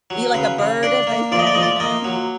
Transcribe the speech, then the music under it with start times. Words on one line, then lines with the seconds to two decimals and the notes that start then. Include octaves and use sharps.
Eat like a bird, as they say, you know?
0.10 F#3
0.34 C#3 B4
0.59 C#3
0.83 D4 D5
1.07 A#3
1.32 F3 D5
1.39 D#5
1.47 D5
1.55 F3 D#5
1.63 D5
1.80 A#3 D#5
2.04 F#3